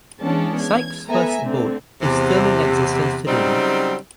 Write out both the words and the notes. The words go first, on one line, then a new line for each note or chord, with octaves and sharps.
Sykes' first boat is still in existence today.
E3 G#3 B3 C#4 D4 A5
G#6
B3 A4 B4 E5 G#5 A#5
D3 A3 C4
E2 C3
C#3 F#3 G3 C4 D#4